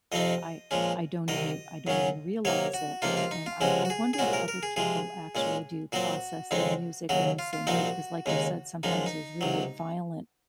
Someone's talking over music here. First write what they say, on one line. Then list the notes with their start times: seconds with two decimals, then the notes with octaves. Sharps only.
I I don't even I don't even realize it, and I I wonder if other people actually do process their music in the same way, because like you've said, sometimes there's really violent
0.12 F2 C3 F3 C4 D#4 D#5
0.71 A#2 F3 G#3 C#4
1.28 C2 C3 D#3 D#5
1.87 F#2 C#3 F#3 C#4
2.45 C3 F#3 A#3 D#4 C#5
2.74 F#4
3.02 C#2 C3 F3 A#3 D#4 F4
3.17 F4
3.31 D#4
3.46 F4
3.61 C#2 C3 F3 G#3 C#4 F#4
3.85 F#4
3.90 G#4
4.13 G#4
4.18 C2 A#2 G#3 C#4 F#4
4.33 A#4
4.48 A#4
4.63 G#4
4.76 C3 F3 G#3 G#4
5.35 A#2 G#3 C#4
5.92 A#2 F#3 C4 F#4
6.51 F2 C#3 G#3 C4 D#4
7.09 D#2 C#3 F#3 F#4
7.39 F4
7.53 F4
7.67 C2 A#2 F3 C4 D#4 F#4
8.26 D#2 C#3 G#3 D#4
8.83 F#2 F3 G#3 D#4
9.06 D#4
9.41 C#2 C3 F#3